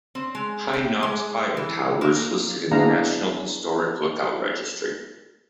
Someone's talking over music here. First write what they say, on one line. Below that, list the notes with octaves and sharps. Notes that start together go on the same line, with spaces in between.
High Knob's fire tower is listed in the National Historic Lookout Registry.
C4
G#3
G5
G#3
E3
A#3
B3 D4 E4 G#4 F5 A#5